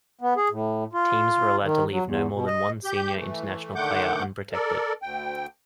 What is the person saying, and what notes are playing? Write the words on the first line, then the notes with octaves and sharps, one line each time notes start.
Teams were allowed to leave no more than one Senior International player unprotected.
B3
G#4
A2
F4
D#3
F#3
E2
B2
D#5
G4 G6
E3 A3
D3 D#3 A3 F#5 D6 G6
A4 A#4 D5
D2 G5